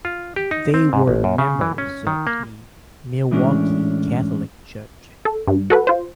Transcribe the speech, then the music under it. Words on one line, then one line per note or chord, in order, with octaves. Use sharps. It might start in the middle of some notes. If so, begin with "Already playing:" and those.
They were members of the Milwaukee Catholic Church.
F4
G4
D#4
C4
G#2
A1
F#2
C#3
E3
C#4
D#3
A#3
A2 E3 G#3 C#4 D4
A4
G2
F#4 A4 B4
F4 C5